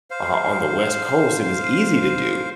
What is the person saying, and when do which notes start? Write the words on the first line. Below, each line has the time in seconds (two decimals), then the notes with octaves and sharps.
o on the West Coast, it was easy to do,
0.11 C5 F5